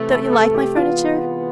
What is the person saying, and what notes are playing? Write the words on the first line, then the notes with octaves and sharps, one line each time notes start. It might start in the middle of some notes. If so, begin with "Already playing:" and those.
Don't you like my furniture?
Already playing: C3 E3 A3
A4
A4
G4
C3 E3 G#3 B3 F4